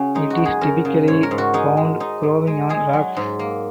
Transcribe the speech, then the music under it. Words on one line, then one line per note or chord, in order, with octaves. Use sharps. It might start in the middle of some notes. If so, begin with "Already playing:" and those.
It is typically found growing on rocks.
Already playing: C#3 C#4 F#4
G#3 D#4
F#4
F#2
G#4
F#2 A#4
C#3
G#2 C#5
A#4
G#2
F#4
G#3 D#4
G#3
G#2 D#4
G#2
G#3
G#3 G#4
F#3
G#2
A#3